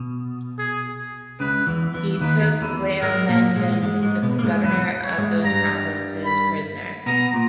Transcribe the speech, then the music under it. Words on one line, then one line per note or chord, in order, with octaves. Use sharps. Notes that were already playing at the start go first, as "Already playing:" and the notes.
He took Laomedon, the governor of those provinces, prisoner.
Already playing: B2
G#4
C#2 C#3 B4
E2 E3
E2 E3
D#2 D#3 B4
E2 E3
G#2 G#3 A#4
A#2 A#3
G#2 G#3
G#2 G#3
G#2 G#3
B2 B3
A#3
G#2 G#3
E2 E3 B4
C#5
G#2 G#3
G2 G3 A#5
B5
B2 B3 A#5
A#2